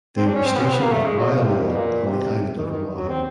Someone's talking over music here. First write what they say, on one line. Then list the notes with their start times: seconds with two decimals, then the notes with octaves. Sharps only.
They were stationed at Waialua on the island of Oahu.
0.17 C4
0.27 D4
0.35 C#4
0.46 C4
0.55 B3
0.60 C#4
0.64 C4
0.74 B3
0.83 A#3
0.93 A3
1.06 G#3
1.18 F#3
1.31 C#3
1.43 C3
1.57 A#2
1.66 B2
1.76 A#2
2.07 C3
2.58 D#3
2.65 E3
2.70 D#3
2.96 F#3
3.09 C4